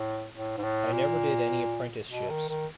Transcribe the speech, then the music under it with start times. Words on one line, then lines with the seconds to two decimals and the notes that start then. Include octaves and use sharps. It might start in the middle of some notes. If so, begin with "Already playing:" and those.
I never did any apprenticeships.
Already playing: A2
0.35 A2
0.57 G#2
0.63 A2
0.93 A#2
2.09 B2
2.30 D#3
2.49 D#3